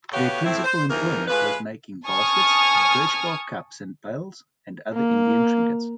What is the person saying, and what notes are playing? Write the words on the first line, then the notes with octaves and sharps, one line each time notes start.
Their principal employment was making baskets, birch-bark cups and pails, and other Indian trinkets.
A2 B3 F#4 G4 C#5 F5
A2 C4 E4
C5
E2 G2 E3 F3 D#4 A#4
A2 G#3 F4 B4
G#5 A5 C#6 D#6 F6
A#3